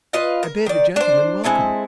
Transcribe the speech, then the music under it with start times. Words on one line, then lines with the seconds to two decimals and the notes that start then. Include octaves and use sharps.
I bade the gentlemen welcome.
0.13 F4 B4 D#5 F5
0.43 A#4
0.66 D#3 D5
0.96 D4 C5
1.44 G#3 C4 E4 A4